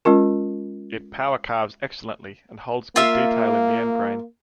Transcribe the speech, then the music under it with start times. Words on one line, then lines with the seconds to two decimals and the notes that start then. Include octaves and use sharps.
It power carves excellently and holds good detail in the end grain.
0.05 G#3 C#4 F4 A#4
2.96 A#3 F4 E5 F5